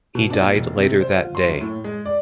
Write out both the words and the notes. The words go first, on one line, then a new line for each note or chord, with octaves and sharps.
He died later that day.
B2
D4
A#2
E1
C3
C5
F4
C6
F#2
A2
G#3
D5